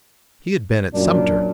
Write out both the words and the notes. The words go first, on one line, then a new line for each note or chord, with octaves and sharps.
He had been at Sumter.
F#2 A#2 D4